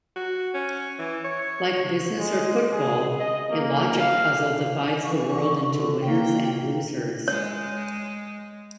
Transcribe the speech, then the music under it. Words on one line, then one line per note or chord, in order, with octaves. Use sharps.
Like business or football, a logic puzzle divides the world into winners and losers.
F#4
C#4
E3
C#5
G#3
G#4
D#5
A#3
F5
E3 C#6
D3
A#3 G5
G#3 C#5